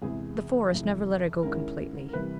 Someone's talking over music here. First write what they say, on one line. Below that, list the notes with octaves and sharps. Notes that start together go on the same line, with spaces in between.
The Forest never let her go completely.
E2 C3 E3 G#3 G#4
F2 C3 E3
G#2 D#3 G#3 C#4 E4 A#4
A#4
C3 E3 G3 B4